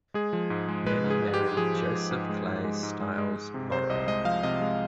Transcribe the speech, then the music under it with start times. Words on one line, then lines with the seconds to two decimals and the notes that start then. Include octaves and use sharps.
Nannie married Joseph Clay Stiles Morrow.
0.14 G#3 G#4
0.33 F3
0.50 G#2
0.68 G#3
0.86 G#3 B4
1.04 G#2
1.10 G#4
1.22 G#2
1.34 G4
1.40 G#2
1.57 F3 G#4
1.75 F3
1.93 G#2
2.11 G#2
2.29 G#3
2.47 G#2
2.64 G#3
2.83 G#2
3.01 G#3
3.18 G#3
3.36 G#3
3.54 C3
3.72 C3 C5
3.89 C2 D#5
4.07 G#3 D#5
4.25 F3 F5
4.43 C3 D#5
4.61 G#3